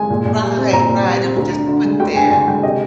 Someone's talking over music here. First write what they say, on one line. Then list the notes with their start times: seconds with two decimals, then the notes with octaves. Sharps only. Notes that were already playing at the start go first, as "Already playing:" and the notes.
Right, right, it was just put there.
Already playing: G#3 G#5
0.10 A#2
0.25 A#2
0.41 G3
0.58 C4
0.72 A#2 A#5
0.89 A#2
1.05 G3
1.21 C4
1.36 D2
1.52 D4
1.68 D3
1.85 G#3
2.00 D2 G5
2.16 D4 G#5
2.31 D3 G#5
2.47 G#3 G5
2.63 C3 D#5